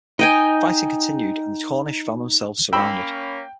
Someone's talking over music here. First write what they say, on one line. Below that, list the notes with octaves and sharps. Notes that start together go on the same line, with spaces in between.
Fighting continued and the Cornish found themselves surrounded.
D#4 D#5 G5 G#5
A#3 C#4 G5 B5 E6